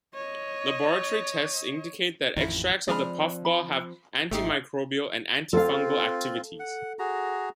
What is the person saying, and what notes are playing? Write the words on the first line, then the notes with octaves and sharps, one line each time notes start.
Laboratory tests indicate that extracts of the puffball have antimicrobial and antifungal activities.
C#5 D#5
A1 F2 D#3 E4
F3 G#3 C4 G#4 D5 B5 F6
B5
G#1 A3 D#4 G4 E5 C7
C4 F4 A4 F5
F#5
F#4 G#4 A#5